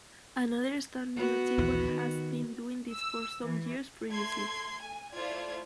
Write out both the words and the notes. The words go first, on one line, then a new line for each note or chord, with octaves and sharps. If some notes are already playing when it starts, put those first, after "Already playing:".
Another establishment at Chigwell has been doing this for some years previously.
B3 F#4
A#1 D#2 E3
D#3
E6
E3
A3 C6 G#6
G#5
A3 E4 F4 C5 D5 G#6